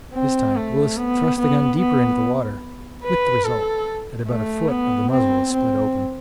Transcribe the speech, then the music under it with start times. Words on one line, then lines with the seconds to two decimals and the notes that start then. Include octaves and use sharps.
This time Willis thrust the gun deeper into the water, with the result that about a foot of the muzzle was split open!
0.14 C4
0.56 A3
0.98 B3
1.39 B3
1.79 B3
3.04 B4
3.45 A4
4.28 A3
4.69 B3
5.11 C4
5.53 C4